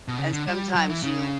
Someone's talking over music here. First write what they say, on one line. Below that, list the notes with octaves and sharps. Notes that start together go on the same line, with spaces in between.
and sometimes you
B2
C#3
D3
G3
F#3
E3
C#3